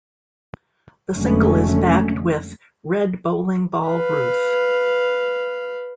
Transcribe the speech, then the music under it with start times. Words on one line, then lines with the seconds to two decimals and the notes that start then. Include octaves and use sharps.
The single is backed with "Red Bowling Ball Ruth".
1.11 F1 D3 F#3 G#3 A3 C#4
3.87 B4 F5